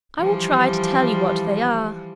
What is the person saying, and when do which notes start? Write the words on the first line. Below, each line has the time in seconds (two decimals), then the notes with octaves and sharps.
I will try to tell you what they are.
0.18 E3 F3 G3